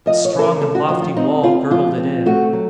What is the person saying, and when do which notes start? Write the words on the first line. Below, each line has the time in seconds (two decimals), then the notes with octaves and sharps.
A strong and lofty wall girdled it in.
0.06 F3 D#5
0.25 C#5
0.34 C#3 A4
0.43 A#4
0.61 C#3 A4
0.75 F#4
0.88 F3 F#4
1.02 F4
1.17 C4 D#4
1.43 C4 F4
1.71 F3 F4
1.98 C4
2.26 A3 F#4
2.53 F#3